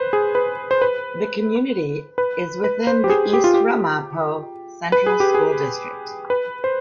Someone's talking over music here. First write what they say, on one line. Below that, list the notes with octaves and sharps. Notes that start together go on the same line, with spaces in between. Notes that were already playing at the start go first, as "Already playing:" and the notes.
The community is within the East Ramapo Central School District.
Already playing: B4 C5
G#4
B4
C5
B4
B4
B4
C5
G4
G#4
G4
F4
G4
B4
G#4
G4
G#4
B4
C5